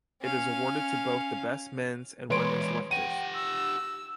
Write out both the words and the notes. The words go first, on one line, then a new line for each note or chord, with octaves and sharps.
It is awarded to both the best men's and women's lifters.
C#4 F5
E3 G#3 B4 C#5 C6 D7
G4 F#5 G5 D#7
E6